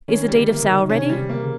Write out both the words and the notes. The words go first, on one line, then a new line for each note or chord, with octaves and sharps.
"Is the deed of sale ready?"
D#3 C#4
G3
D3
A#3
C#3
D#3
C3 C#4
G3
C3
A#3
C#3